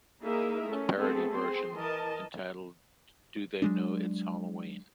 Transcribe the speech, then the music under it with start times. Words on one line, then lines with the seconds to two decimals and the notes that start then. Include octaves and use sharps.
A parody version entitled Do They Know It's Hallowe'en?
0.22 A#3 D#4 E4 G#4 A#4 E5
0.67 A3 C#4
0.96 A3 B3 C4 G#4 A4
1.32 C4 G#4 C6
1.76 E3 A#4 D#5 A5
3.62 F#3 G#3 D4